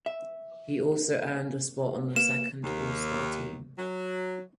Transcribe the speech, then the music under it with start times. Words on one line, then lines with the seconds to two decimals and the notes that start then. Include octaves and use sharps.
He also earned a spot on the Second All-Star Team.
0.06 E5
2.16 A#3 B4 E7
2.64 D#2
3.78 F#3